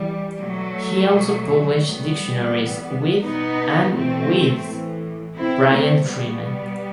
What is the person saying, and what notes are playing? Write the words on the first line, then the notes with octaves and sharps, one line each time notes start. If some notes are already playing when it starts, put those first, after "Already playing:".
He also published dictionaries with and with Bryant Freeman.
Already playing: E3 G3
B2 F#3 A3
B2
A2 E3 G3 B3
A2 E3
B2 B3 D#4
A2 E3 A3 C4
A2 E3
B2 C4 E4
A3 C4
B2 G3 B3